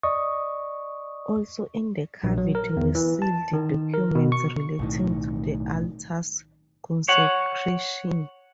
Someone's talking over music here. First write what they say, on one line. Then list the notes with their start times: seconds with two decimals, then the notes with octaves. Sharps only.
Also in the cavity were sealed documents relating to the altar's consecration.
0.03 D5 D#5 C#6 D#6
2.24 A#1
2.38 F#3
2.55 A#4
2.77 E2
2.95 E3
3.22 A5
3.53 D#3
3.94 A#4
4.15 B2
4.32 C#6
4.79 B1 A2 D#3
7.08 C#5 F#5